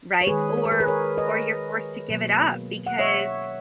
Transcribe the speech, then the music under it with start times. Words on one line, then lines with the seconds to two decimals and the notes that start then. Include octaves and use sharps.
right, or or you're forced to give it up, because
0.21 C#5
0.26 D#3 G#3 G#4 B4
0.58 C#5
0.65 B4
0.72 A#4
0.80 G#4 B4
0.87 A#4 C#5
1.18 B4 D#5
2.09 B2 F#3 A#3
2.87 F#5
2.99 C#5 E5